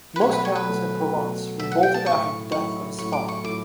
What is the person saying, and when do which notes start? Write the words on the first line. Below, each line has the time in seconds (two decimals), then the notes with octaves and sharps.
Most towns in Provence revolted after the death of his father.
0.16 B4
0.21 B2 F#3 A3 C#5
0.33 B4
0.45 C#5
0.55 B4
0.68 B2 F#3 A3
1.14 B2 F#3 A3
1.60 B2 F#3 A3 E5
1.72 F#5
1.83 G5
1.94 A5
2.06 A2 F#3 A3 E4 C#6
2.52 A2 F#3 A3 E4 C#6
2.98 A2 F#3 A3 E4 C#6
3.13 D6
3.28 C#6
3.44 A2 F#3 A3 E4 D6